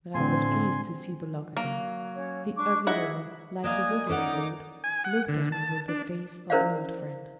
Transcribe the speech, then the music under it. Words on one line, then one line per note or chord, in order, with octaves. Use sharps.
But I was pleased to see The Loke again. The ugly river, like the woodland glade, looked at me with the face of an old friend.
A2 D3 C4 G#5 C6
F#3 A#3
C#4 C#5
D4 C#6 D6
E4 G#4 D#5 E5 F#5 G#6
A#3 D4 D#5 F5 G#5 D#6
C#4 D#4 A4 D5 F#5 A#5 D6
G#5
F#5
D3
A5
D4
C#4 E4 A#4 C5 D5 F5